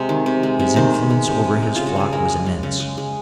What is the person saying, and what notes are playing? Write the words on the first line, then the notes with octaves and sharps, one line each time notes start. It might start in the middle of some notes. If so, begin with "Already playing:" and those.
His influence over his flock was immense.
Already playing: C3 G#3
D#3
C3
G#3
C3
D#3 C5
C3
G#3
C3
G#3
G#3
C#3 F4
F#4
C#3 G#4
G#3 A#4
G#3
C#3
C#3
G#3
G#3